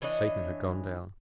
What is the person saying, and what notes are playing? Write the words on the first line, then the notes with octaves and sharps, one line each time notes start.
Satan had gone down.
E3 D4 C#5 D#5